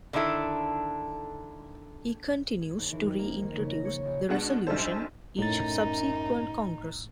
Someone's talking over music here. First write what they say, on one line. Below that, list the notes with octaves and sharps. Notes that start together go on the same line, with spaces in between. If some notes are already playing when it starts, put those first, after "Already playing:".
He continues to reintroduce the resolution each subsequent Congress.
D3 D#3 D4 E4 A4
G#4
D#2
E3
F2
A#3
D#3
C#3
A#6
C#5
A#1
B2 G#3 D4 F#5
B1 F#2 G3 D4 A4 C5
F#2 A2 D#4 A6